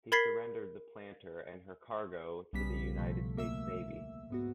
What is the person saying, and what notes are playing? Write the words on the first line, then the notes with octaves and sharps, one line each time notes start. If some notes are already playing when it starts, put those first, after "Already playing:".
He surrendered the "Planter" and her cargo to the United States Navy.
A#4 B5 G#6 A6 B6 C7
B1 C#3 G3 B3 B6
B2 F3 A3
D2 A#3 E5 E6
G#2 B3 F#4